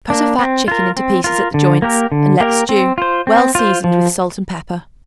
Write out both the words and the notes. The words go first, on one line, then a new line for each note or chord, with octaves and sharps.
Cut a fat chicken into pieces at the joints and let stew, well seasoned with salt and pepper.
A#3 D4
C4
F4 A#4
C4
F4 A#4
D3
A#3 G4 A#4
D3
A#3 G4 A#4
C4
F4 C5
C4
F4 C5
F3